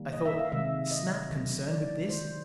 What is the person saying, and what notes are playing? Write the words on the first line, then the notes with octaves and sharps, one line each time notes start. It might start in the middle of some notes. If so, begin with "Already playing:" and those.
I thought, "Is Snap concerned with this?"
Already playing: D#3 G3 A#3
D#5
E5
F5
C3 D#3 G#3 E5
D#5
D3 F#3 A#3
D5
D#3 G#3 C5